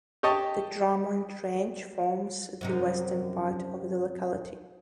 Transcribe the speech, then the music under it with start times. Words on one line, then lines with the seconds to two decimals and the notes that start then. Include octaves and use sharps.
The Drummond Range forms the western part of the locality.
0.23 G4 C#5 D#5 A5
2.61 F#2 C3 D#4